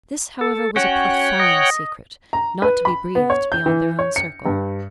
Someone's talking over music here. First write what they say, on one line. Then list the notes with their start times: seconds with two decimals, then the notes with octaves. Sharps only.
This, however, was a profound secret, not to be breathed beyond their own circle.
0.41 A4
0.76 C#4 F#4 C#5 F#5 G5
1.40 D#5
2.33 A#5
2.62 B4
2.85 B5
3.15 B3
3.30 C#5
3.52 G6
3.66 E3
3.99 C#5
4.16 C#7
4.46 G2